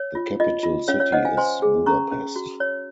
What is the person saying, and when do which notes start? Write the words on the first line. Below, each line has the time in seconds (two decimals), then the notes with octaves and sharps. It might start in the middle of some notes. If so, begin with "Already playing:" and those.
The capital city is Budapest.
Already playing: C#5
0.15 F4
0.40 F4 D#5
0.63 F4
0.88 C#4 C#5 F5
1.00 C#5 F5
1.12 C5 D#5 F#5
1.25 F5 G#5
1.37 C5 G#5 C6
1.62 G#4
1.86 C#4 A#5 C#6
2.11 C#4
2.36 F#4
2.60 C#5